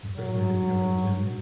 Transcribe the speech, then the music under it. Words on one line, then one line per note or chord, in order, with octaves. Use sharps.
Especially to get to go to the gym.
F#3